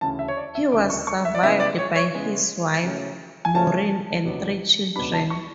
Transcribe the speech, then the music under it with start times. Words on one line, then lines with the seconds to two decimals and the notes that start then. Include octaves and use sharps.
He was survived by his wife, Maureen and three children.
0.01 D2 C#3 E3 A5
0.19 E5
0.28 C#5
0.37 D5
0.55 E5
0.72 D2 C#3 E3 D6
0.90 C#6
1.07 C#6
1.25 E5
1.34 D5
1.43 C#3 G#3 B3 E4 E5
1.60 D5
1.79 C#5
1.96 C#5
2.13 C#3 G#3 B3 E4
2.83 C#3 F#3 A3 C#4
3.45 G#5
3.54 C#3 F#3 A3 C#4 A5
4.25 C#2 B2 F#3 B3 D4
4.95 C#2 B2 F#3 B3 D4 B5
5.13 A5
5.30 C#6